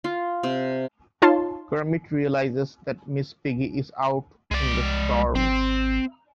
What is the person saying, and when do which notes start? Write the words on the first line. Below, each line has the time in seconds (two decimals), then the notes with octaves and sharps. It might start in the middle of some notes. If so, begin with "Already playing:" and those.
Kermit realizes that Miss Piggy is out in the storm.
0.04 F4
0.43 C3
1.22 D#4 F4 C#5 A5 C6
4.51 C2 G#3 D5
5.35 G#1 C4